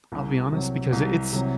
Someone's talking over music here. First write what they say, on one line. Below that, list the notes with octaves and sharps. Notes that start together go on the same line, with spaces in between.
I'll be honest because i it's
C2
C3 F#3
C2
C3 F#3